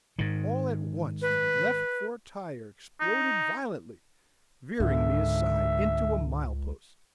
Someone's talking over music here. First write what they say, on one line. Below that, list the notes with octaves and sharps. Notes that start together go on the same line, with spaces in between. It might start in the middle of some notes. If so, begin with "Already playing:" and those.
All at once my left fore tire exploded violently, veering me aside into a mile-post.
G#2 D#3
B4
D#4
C#2 G#2 D3 E5